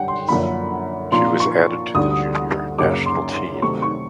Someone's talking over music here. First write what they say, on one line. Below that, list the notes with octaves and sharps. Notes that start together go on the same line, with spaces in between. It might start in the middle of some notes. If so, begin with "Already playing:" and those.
She was added to the junior national team.
Already playing: F#2 D3 G3 F#5 G5
C6
F#2 D3 F3 A#3 B5
A#2 F3 A#3 D4 F4 C6
C#6
D2 D3 G3 D#6
F#2 C#3 F#3 A#3 C#4 D6
C6
C6
C3 D#3 F#3 A3 C4 C#6
C#6